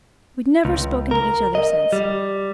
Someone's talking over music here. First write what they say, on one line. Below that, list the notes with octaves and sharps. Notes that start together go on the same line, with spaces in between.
We've never spoken to each other since.
C#2
A#4
D#5
G3